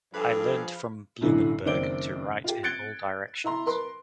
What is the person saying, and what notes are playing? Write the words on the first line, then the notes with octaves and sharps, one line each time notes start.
I learned from Blumenberg to write in all directions.
G2 F3 G#4 A4 B4 F5 B5
B1 F#2 A2 D3 E3
F#1 D#3 C4 D5 D7 G7
F4 G4
F#6 G#6 A6 C#7 D7 G7
E4 E5 A#5 C6
A#4 B4 C6